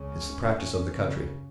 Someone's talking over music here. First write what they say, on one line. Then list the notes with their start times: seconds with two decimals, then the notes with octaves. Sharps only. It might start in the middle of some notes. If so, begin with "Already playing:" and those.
It's the practice of the country.
Already playing: C#2 C#3 C#4
0.89 F#2 C#3